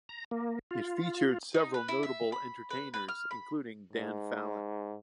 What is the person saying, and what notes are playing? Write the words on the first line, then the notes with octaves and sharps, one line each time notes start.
It featured several notable entertainers, including Dan Fallon.
A#5
A#3
F4
D#4
B4
E4
E5
B5
B4
B4
F6
B5
G#2